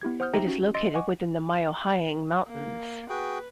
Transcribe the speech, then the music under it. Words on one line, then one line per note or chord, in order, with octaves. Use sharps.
It is located within the Myohyang Mountains.
B3 E4 G4 G#6
C5 F#5 D#6 F6 G6
D#4 G4 E5 G5 A#5 A#6
C#4 F#4
D#5 C6 E6 A6 A#6 D7
D#5 F#5 G#5 C#6 D6
A#3
F#4 G#4 B4 G5